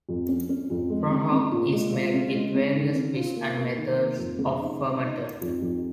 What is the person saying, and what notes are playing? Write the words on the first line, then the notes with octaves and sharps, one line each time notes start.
Prahok is made with various fish and methods of fermented.
F2
C#4
C#4
F2
G#3
C#4
C#4
A#2
G#3
F4
C#4
G#3
C#4
D#3
C#4
F4
A#3
A#3
D#3
A#3
F2
C#3
D#4
C#3
D#4
D#4
F2
F2